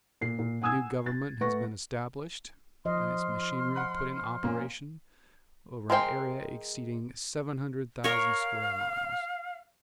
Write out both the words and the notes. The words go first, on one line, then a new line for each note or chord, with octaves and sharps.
A new Government has been established, and its machinery put in operation over an area exceeding seven hundred thousand square miles.
A#2 C7
A#2
F#5 G#5 D#6 E6 G#6
A6
A3 B4 F#5 C#6 A#6
F3 D#5 C6 F6
F#5 B5 F#6
A#2 A#3 C#4
G#3 A#4 C5 G5
A#4 C#5 F5